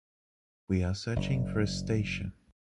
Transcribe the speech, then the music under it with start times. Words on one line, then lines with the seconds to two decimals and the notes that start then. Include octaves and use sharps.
We are searching for a station.
1.16 F#1